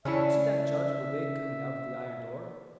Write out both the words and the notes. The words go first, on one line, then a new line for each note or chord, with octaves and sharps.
You see that judge in a wig coming out at the iron door?
C#3 E3 C#4 D4 E4 C#5 E5